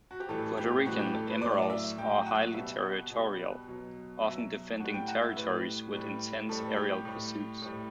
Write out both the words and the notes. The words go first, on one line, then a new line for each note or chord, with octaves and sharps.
Puerto Rican emeralds are highly territorial, often defending territories with intense aerial pursuits.
F#4
G4
A2 E3 G3 A4
G4
A2 E3 G3 F#4
G4
A4
B4
A2 F#3 D5
D5
E5
A2 F#3 G5
F#5
B2 G3 E5
F#5
B2 G3
B2 F#3
B2 F#3 E5
A2 G3 F#5
G5
F#5
E5
A2 G3 B4
A2 G3
A2 G3 A4
G4
A2 G3
A2 G3